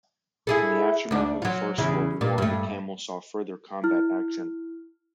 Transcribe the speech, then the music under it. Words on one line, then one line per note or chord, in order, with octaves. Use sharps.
In the aftermath of the First World War, the Camel saw further combat action.
E4 G#4 A4
D2 D4
F#3 F4
E2 C#3 E4
A#2
G2 A3
E4 F6